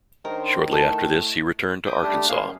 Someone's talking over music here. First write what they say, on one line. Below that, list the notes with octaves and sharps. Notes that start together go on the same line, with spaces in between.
Shortly after this he returned to Arkansas.
D#3 C#4 D4 A#4 C5
A3 E4 A4
D6 D#6 G6
G3 A3 D4 G4
F#3 A#3 G#4 F5
F#2